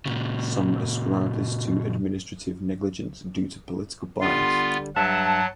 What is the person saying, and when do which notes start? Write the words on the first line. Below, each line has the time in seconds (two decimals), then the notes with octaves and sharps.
Some ascribe this to administrative negligence due to political bias.
0.06 A#2 C#3
4.21 D3 G3 B3 F4 C6
4.96 G2 F#3 E5 F#5 A5